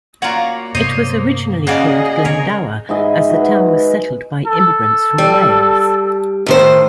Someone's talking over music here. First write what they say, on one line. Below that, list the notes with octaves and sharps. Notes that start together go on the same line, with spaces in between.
It was originally called Glendower as the town was settled by immigrants from Wales.
A#3 F4 F#4 C#5 D5 A#5
G2 C3 B3 C5 C#5 D#5
C#3 A#3 F#4 G#4 D5 D#5 G#5 A5
C#3 B3 A#4 C#5
G#2 E4 G#4 D#5
F#4 B4
A4
G3
A2 D#3 C5